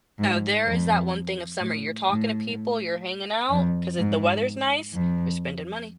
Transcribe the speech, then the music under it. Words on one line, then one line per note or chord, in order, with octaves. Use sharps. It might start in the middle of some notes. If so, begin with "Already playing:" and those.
So there is that one thing of summer. You're talking to people, you're hanging out, 'cause if the weather's nice, you're spending money.
G#2
F2
A2
A2
F2
G#2
F2